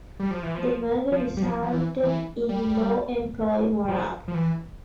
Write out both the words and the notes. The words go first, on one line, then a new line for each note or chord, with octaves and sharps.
The merger resulted in low employee morale.
G3
F3
E3
F3
F3
G3
F3
F3
E3
E3
G3
F3
F3
E3